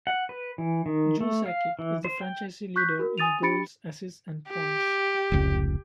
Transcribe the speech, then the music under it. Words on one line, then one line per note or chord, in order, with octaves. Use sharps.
Joe Sakic is the franchise leader in goals, assists and points.
F#5
B4
E3
D#3
A3
F5
E3
C5
G5
C#6 F#6 G6 B6
F#4 A#4
G#5 D#6 A6 D#7 F7
D4 G4 B5 A6 C#7 D7
G4
F1 C#2